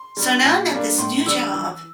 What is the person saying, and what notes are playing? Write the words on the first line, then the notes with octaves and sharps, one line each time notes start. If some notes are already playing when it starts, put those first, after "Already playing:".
So now I'm at this new job,
Already playing: C6
G3 D4
A#2
G3 A#3 D4
A2 C6
E3 G3 D4 E6
E3